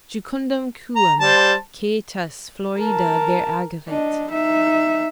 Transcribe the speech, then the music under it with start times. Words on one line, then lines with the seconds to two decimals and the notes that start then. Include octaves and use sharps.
"Jucundum quum aetas florida ver ageret."
0.95 A#5
1.20 G3 C5 A5
2.79 A#4 A5
3.89 D4 D#5
4.31 D#4 E5